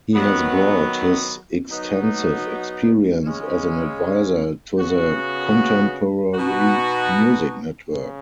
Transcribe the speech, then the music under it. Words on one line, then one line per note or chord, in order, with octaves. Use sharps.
He has brought his extensive experience, as an advisor, to the Contemporary Music Network.
D#3 F#3 B3
F#3 B3 D#4 F#4
C#3 G#3 C#4
C#3 B3 F#4
B2 B3 D#4 F#4
C#3